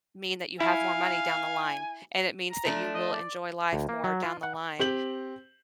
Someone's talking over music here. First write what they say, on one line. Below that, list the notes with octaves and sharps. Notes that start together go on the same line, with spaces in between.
mean that you have more money down the line, and it means that you will enjoy life more down the line,
E4 F5 G#5
A#5
F3 A3 D4
D#5
D5
D2
A#3
F#3
F4
F#5
C4 G4 G6 F#7